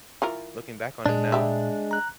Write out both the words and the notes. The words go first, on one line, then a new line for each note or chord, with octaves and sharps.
looking back on it now
E3 F4 A#4
A#2 G#3 D4
G3 E5
A#5 F#6